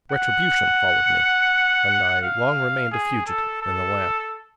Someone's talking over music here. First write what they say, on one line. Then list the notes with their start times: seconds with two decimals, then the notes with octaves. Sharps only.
Retribution followed me; and I long remained a fugitive in the land.
0.11 F#5
2.22 F5
2.91 G#4
3.27 A4
3.62 A4